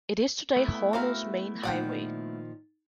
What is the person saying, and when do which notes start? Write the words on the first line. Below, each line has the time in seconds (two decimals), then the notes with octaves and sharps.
It is today Hornell's main highway.
0.56 A3 B3 E4
0.93 C4 F#4 A#4 E5 F5
1.63 A#2 D#3 F3 D5 F#5 G5